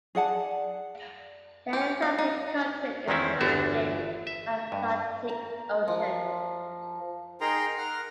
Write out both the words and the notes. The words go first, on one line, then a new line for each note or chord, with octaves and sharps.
The Antarctic continent is surrounded by the Antarctic Ocean.
G#4 D5 F#5 A5
G4
F5
D#4
E2 D#3 G#3 C4 C#4 E4
G1 E2 D4 F#4 E5
E5
G2
A#4
F3
D#4 G#4 A#4 G5 A#5 C6
A#4 F#5 F6